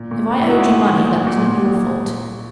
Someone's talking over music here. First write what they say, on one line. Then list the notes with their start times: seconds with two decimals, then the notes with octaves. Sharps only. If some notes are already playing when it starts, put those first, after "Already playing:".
If I owed you money, that was not your fault.
Already playing: A#2
0.11 A#2
0.31 A#2
0.44 E4
0.49 A#2 D#4 F#4
0.68 A#2
0.88 A#2
1.07 A#2
1.27 A#2
1.46 A#2
1.65 A#2